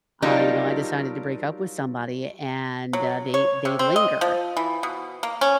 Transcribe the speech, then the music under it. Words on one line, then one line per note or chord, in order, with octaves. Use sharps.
uh, you know, I decided to break up with somebody and, uh, they they linger,
F#3 G3 A#3 D4 D#4 F4
F#3
C#5
C3
C4
D#5
F3
E3
B2
A#3
C#4